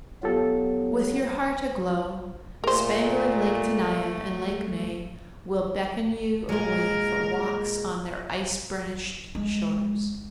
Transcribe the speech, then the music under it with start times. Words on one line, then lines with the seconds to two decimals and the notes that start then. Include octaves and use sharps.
With your heart aglow, spangling Lake Tenaya and Lake May will beckon you away for walks on their ice-burnished shores.
0.23 F#3 B3 F4 G4 A4
2.64 A#2 A3 A#4 C5
6.49 A#2 G#3 A#4
9.35 G#3